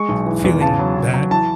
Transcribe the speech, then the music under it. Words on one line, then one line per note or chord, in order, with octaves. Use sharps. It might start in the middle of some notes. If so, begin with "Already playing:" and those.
feeling bad.
Already playing: G#3 C#6
B1
E3
E2
C#3 A5
F#3
C#3
F#3
E3 A5